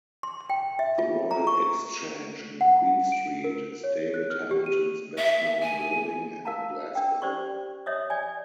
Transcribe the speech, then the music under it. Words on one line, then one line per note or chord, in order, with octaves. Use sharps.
The Royal Exchange in Queen Street is David Hamilton's best known building in Glasgow.
C6
G5
E5
F4
A#5
C#6
F#5
D7
A#4
C#5
F#6
F6
G4
D#7
E5
G#5
A#4 F5 A5 A#5
D4 A#4 G5
C#4 G4 C5 D5 C6 C#6
C#5 D#5 E5 D#6
D5 G#5